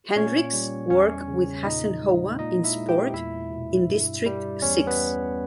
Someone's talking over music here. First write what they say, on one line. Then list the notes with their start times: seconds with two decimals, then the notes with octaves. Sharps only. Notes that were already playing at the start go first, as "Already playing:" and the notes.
Hendricks worked with Hassen Howa in sport in District Six.
0.16 A#2 C#4 C#5
0.53 G3
0.90 E2 C#4 C#5
1.28 C#3
1.65 A#2 D#4 D#5
2.02 G#3
2.39 A#2 D#4 D#5
2.64 E4 E5
2.76 G#3
2.88 G4 G5
3.14 E2 E4 E5
3.51 B2
3.89 G2
4.26 G3
4.62 E2 C#4 C#5
4.87 B3 B4